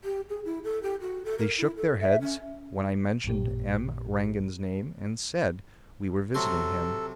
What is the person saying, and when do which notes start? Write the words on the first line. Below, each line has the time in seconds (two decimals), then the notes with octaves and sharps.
They shook their heads when I mentioned M. Rangon's name and said we were visiting him.
0.04 G4
0.29 G#4
0.45 E4
0.64 A4
0.83 G4
1.01 F#4
1.25 A4
1.38 A#4
1.58 E4
1.77 A4
2.01 E5
2.21 C#4
3.24 A1 F#2 A#2 G4
6.34 C3 F#3 A4 C6